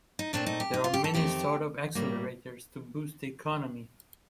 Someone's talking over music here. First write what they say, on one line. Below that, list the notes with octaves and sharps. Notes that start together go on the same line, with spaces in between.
There are many startup accelerators to boost the economy.
D#4
A#2 A3 C4 D4
D#4
G4
D#4
F4
G4
A4
F2 D#3 A3 C4 G4
A2 G3 A#3